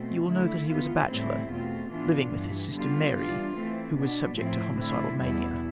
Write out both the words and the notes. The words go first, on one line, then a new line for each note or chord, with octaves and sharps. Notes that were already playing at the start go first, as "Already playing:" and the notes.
You will know that he was a bachelor, living with his sister Mary, who was subject to homicidal mania.
Already playing: B2 A3 C4
D3 A3 E4
E3 B3 F4
A2 E3 G3 C4 E4
E2 B2 A3 C4 F4
A2 E3 B3 D4 F4
G2 E3 B3
D3 G3 B3 D4 F4
E3 G3 D4 F4
E3 A3 C4
B2 B3 D4
A2 F3 A3 C4 E4
D3 A3 C4 E4
E2 B2 G3 B3 E4